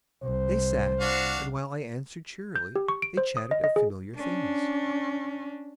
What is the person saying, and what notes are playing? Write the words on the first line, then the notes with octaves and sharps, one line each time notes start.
They sat, and while I answered cheerily, they chatted of familiar things.
C2 C5
D4 F#4 F5
G6
G4
C#6
D7
C5
D#6
D#5
D#5
G#4
C#4 D4